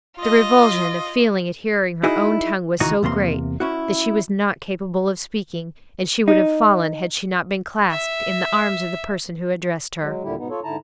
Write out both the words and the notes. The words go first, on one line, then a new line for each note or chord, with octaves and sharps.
The revulsion of feeling at hearing her own tongue was so great that she was not capable of speaking, and she would have fallen had she not been clasped in the arms of the person who addressed her.
F4 D#5
D#4 E4 F#4 G#4
C#2 D#3 E3 D#4 F#4 F#5
E2 C3 A#3 C6
C#4 E4 F#4
D#4
E5
F#3 G#3
D#2 A#2 D3 G3 E4 G4
G#2 B2 B3 D#4
F4 A4 C#5
G#2 D3 E4 A5 A#5